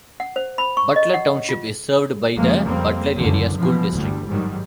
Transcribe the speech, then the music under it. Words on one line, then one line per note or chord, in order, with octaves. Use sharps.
Butler Township is served by the Butler Area School District.
F#5
C5
B5
C#6
D#5
F#5
F4
F2 C#3 F3 G#3 A#3
F2 G3 A#3 C4
C#2 F#2 D3 E3
B2 E3 F3
G1 D2 G3
G#2 D#3 F#3 G3